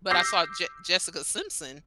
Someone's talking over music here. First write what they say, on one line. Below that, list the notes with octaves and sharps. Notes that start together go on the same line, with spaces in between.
but I saw Jes Jessica Simpson
D6 E6 G6 A#6 C7